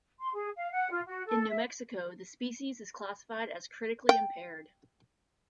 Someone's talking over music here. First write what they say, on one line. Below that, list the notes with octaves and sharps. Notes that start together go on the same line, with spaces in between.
In New Mexico, the species is classified as "critically impaired".
C6
G#4
F5
F#5
F4
F#4
A4
E5
G5